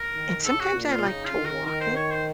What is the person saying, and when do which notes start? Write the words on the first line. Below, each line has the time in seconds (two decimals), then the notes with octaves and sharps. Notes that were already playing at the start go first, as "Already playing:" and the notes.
and sometimes I like to walk it
Already playing: A#4
0.14 D#3
0.45 C#3 A4
0.60 F#4
0.75 A#2
0.89 F4
1.05 C#3 D#4
1.25 F4
1.35 D#3
1.45 A#4
1.66 D#3 A#4
1.80 C5
1.96 C#5
2.11 C5